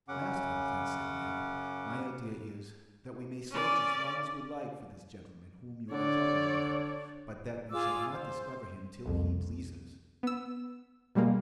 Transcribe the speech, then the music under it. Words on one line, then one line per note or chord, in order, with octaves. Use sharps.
"Master," then said Neb, "my idea is, that we may search as long as we like for this gentleman whom you are talking about, but that we shall not discover him till he pleases."
F#2 C#3 C#4 F#5 D6
C#4 D5
D3 C#5 D5
F4 G#4 D6 E6
C5
C2 F2
B3 E6
B2 G3 G#3 A#3